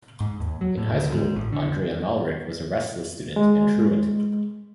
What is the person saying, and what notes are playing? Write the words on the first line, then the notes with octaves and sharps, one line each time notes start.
In high school, Andrei Amalrik was a restless student and truant.
G#2
D#2
F#3
A2
D2
G#2
A1
D3
G#3